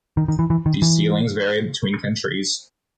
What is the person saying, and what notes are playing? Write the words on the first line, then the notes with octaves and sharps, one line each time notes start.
These ceilings vary between countries.
D#3
D#3
E3
E3
D#3
E3